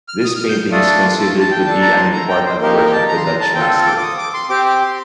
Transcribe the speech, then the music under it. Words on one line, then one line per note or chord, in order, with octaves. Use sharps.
This painting is considered to be an important work of the Dutch master.
F6
F6
D#6
F6
G6
A3 D4 F4 A4 D#6
D6
C6
A5
A5
G5
D4 A4 A5
A#5
C6
A#5
G5
C5
A#3 D#4 G4 A#4
A#4
G5
A5
A#5
C6
A#5
A5
C4 F4 A4 G5
D6
D6
D#6
D6
C6
C4 G4 D6
D6
C6